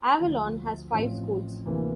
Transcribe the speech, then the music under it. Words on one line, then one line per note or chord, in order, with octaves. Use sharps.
Avalon has five schools.
D2 D3 F3
A1 A2 F3 C4
D2 C3 E3 A#3